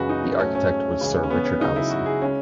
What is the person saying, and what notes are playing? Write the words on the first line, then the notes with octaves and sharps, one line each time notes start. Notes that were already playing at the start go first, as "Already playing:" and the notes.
The architect was Sir Richard Allison.
Already playing: F#2 C#3 E3 G#3 F#4 B4
D#4
G#2 F#3 A3 C#4
C#4
C#2 C#3 E3 G#3
C#4
B3
C#4
C#2 C#3 F#3 D#4
E4
F#4
G#4
C#3 G#3 C#4